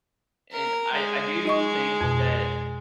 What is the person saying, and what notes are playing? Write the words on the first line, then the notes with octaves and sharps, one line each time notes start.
and I I do think that
A#4
G#3
D#4 D#5 C#6
F2 B2